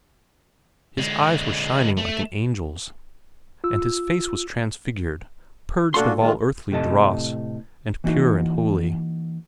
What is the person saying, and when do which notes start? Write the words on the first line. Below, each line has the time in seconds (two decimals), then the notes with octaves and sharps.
His eyes were shining like an angel's, and his face was transfigured, purged of all earthly dross, and pure and holy.
0.98 D3 G#3
1.97 A3
3.64 F4 E6
5.94 A#2 D4 F4 F#4 A4 C6
6.20 D#3 G#3 F4
6.72 A2 C3 A4 D#5 A5
8.04 E3 A#3 D#4 F#4